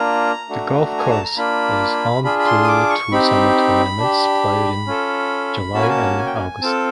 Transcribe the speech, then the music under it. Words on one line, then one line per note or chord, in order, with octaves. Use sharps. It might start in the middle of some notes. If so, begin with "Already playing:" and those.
The golf course is home to two summer tournaments played in July and August.
Already playing: A#3 D4 F4 A#5
A3 D4 F#4
G#5
A5
A#5
A#3 D4 F4 B5
D4 F4 G#4 B5
B5
C6
D#6
D6
C#6
C4 D#4 G4 B5
D4 G4
C#4 F4 A4
A#3 C#4 F#4 A5
G#5
A5
G#5
G5
G#5
C4 F4 A4 A5